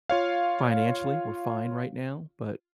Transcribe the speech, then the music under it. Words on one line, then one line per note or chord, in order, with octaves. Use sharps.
financially, we're fine right now, but
F4 C#5 F5